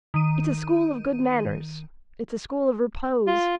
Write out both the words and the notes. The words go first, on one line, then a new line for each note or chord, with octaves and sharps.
It's a school of good manners; it's a school of repose.
D#3 D#7
F4